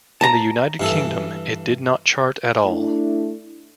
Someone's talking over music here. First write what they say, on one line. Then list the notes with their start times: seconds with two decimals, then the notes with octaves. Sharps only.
In the United Kingdom, it did not chart at all.
0.21 A5 A#5
0.80 G2 E3 A4
2.65 A3 D4 E4